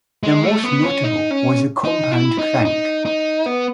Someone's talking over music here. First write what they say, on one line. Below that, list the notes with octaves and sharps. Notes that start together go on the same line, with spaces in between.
The most notable was the compound crank.
G#3
A3
B3
C#4
D#4
C#4
D#4
E4
D#4
D#4
D#4
B3